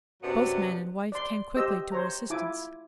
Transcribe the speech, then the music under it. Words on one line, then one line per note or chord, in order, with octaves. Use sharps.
Both man and wife came quickly to her assistance.
F#2 C3 F#3 B3 D4
D5 C6
G4 C5 D#5 E6
C5 C#5 A#5
E4 F4 G#5 D6